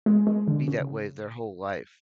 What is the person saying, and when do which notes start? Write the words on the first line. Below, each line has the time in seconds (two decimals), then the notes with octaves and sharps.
be that way their whole life,
0.06 G#3
0.27 G#3
0.48 D3
0.68 C#3